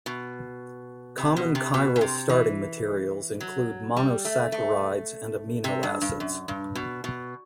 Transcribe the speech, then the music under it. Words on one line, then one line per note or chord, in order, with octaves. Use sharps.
Common chiral starting materials include monosaccharides and amino acids.
B2
C3
B2
C3
B2
B2
C3
E3
F#3
G3
A3
A3
C3
G2
G2
F#2
G2
B2
B2